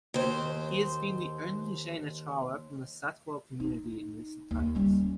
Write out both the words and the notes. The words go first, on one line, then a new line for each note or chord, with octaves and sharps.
He has been the only Jain acharya from the Saitwal community in recent times.
D#2 C5
D#4
D#2
G3 C#4